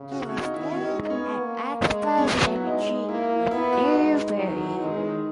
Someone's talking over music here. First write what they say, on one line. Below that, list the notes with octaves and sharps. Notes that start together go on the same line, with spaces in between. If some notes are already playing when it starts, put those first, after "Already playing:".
He was buried at Oxbow Cemetery in Newbury.
Already playing: C#3
F#4
C#4
D#4
D#3 E4
C#4
G#3 D#4
D#4
B3 C#4
A#3
G#3
C#4
F#3 B3
F#4
E4
G#3 D#4
A#3 E4
E4
B3 E4
F#4
G#3 D#4
E3 F#3
D#3
E3
D#3 G#3
E3
D#3